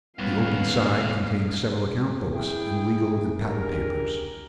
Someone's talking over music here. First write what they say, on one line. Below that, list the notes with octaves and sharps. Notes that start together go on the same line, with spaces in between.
The open side contained several account books and legal and patent papers.
D#2 G3 B3 C#4 F5
E4 G#4 G5
D4 G4 G#4 A#4